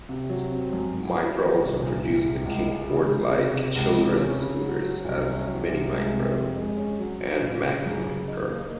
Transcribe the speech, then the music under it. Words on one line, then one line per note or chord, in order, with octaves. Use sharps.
Micro also produced the Kickboard-like children's scooters as "Mini Micro" and "Maxi Micro".
C3
F#3
C4
F#2
F#2
F#3
D#3
C2
A#2
C2
C2
C#2
G#3
C#3
C#3
C3
C3
C#2
C3
C#4
C#3
F#3
F#3
C2
C#4
F#3
C2
G#3
C3
F2
G#3
C#4
F#3
F#3
A#2
C#3
F#2
C#3
D#4
A#3